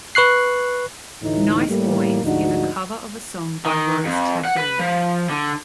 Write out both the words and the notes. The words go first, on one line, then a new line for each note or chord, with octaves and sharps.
"Nice Boys" is a cover of a song by Rose Tattoo.
B4 C#6 F#6 C7
D2 A2 E3 D#4
A2 G3 A#3
D2 G#2 F3 D4 D#4 F#4
D#3
F2
F#5
B4
F3
D3